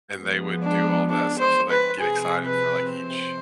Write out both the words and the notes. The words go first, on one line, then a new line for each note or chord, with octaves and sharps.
And they would do all that stuff, so, like, get excited for, like, each
F3 G#3 B3
D4
D4
C5
B4
C3 F3 C4 G#4
B4
C5